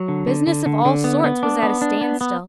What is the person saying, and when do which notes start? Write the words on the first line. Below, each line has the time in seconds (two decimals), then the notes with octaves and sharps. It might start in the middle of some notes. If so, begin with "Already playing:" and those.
Business of all sorts was at a standstill.
Already playing: F#3
0.08 D3
0.27 D3
0.47 D3
0.66 D3
0.85 D3
1.04 B3
1.24 B3
1.43 D4
1.63 B3
1.82 D4
2.01 B3
2.21 B3